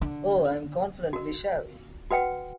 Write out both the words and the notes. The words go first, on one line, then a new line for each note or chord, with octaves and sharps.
Oh, I am confident we shall.
D3
F#4 A#4
F#4 B4 F#5 G5